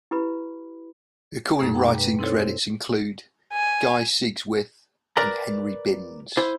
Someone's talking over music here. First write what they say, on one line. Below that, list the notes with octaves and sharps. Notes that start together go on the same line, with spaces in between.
Her current writing credits include, Guy Sigsworth, and Henry Binns.
E4 G4 B4 B5
F#2 B2 G3 A3 D#4 G#4
F#5 G5 A#5 B5 D6
B4
C4 D#4 E4 A4 C5 C#5
C5
G#5
A#4 B4 D5 A#5
E4 C5